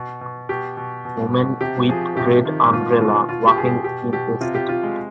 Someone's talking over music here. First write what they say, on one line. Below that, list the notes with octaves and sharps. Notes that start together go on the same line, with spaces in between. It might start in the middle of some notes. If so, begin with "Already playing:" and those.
Woman with red umbrella walking in a city.
Already playing: B2
B2
B2 G4
B2
B2
B2
C3 G4
F3 G#4
C3 G4
D#3
B2 F4
B2 F4
B2 F4
G4
B2 G#4
G4
B2 G4
B2 G4
C3 F4
G4
C3 F4
G#3